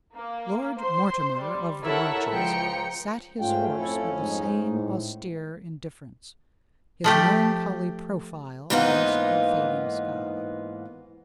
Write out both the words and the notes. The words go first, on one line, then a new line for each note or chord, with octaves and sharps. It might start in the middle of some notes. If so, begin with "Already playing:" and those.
Lord Mortimer of the Marches sat his horse with the same austere indifference, his melancholy profile against the fading sky.
A#3
C5 C6
G3
E4 A4 A#4 C#5 E5 F#5
C#2 F3 G5 A#5 C#7
G#2 A3 C#4 F4 G5
F2 E4 A4
G#2 D#4
A2
F3 A3 G4
G#2 E3 A#3 B3 D#4 F4